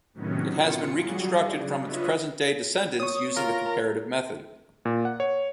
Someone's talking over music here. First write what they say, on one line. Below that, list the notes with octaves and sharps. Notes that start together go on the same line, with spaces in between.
It has been reconstructed from its present-day descendants using the comparative method.
A2 C3 D#3 F#3 B3 C#4
F4 C#7
F#3 G3 F#4 G#4
C#3 D4
F4 B4 C#5 D#5 E5
C#5 C#6 D#6
F4 A#4 A#5
A#2
F#5
C#5